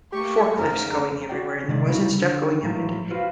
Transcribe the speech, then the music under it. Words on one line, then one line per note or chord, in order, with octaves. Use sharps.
forklifts going everywhere, and there wasn't stuff going up into
A3 A#3 G4 C#6
F2 G#2 C#3 A#4
F#4 D5 G5
C3 D#3 G#3 D5
C#3 G3 A3 D#4 E4 F#4
D3
A2 F3 F#3 G#3
F4 F#4 B4 C5 F5